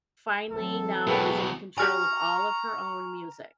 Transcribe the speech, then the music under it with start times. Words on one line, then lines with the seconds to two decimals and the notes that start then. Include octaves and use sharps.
finally now is in control of all of her own music.
0.52 E3 F#3 C4 A4
1.07 E2 B2 G#4 B4 G5
1.78 D4 F#4 G4 G#5 A#5 C#6 F6